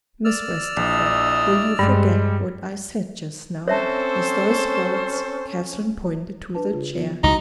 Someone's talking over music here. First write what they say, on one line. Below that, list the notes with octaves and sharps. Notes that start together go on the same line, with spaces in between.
"Miss Westerfield, will you forget what I said just now?" With those words, Catherine pointed to the chair.
D5 E6 F6
A#1 D4 E4 D#5
G2 G3 G#3
C4 C#4 A4 C5 C#5 E5 A5
D4 B4 A5
C#3 F4 G#4
F3 B3 F4
C#2 D#4 E4 F#4 D#5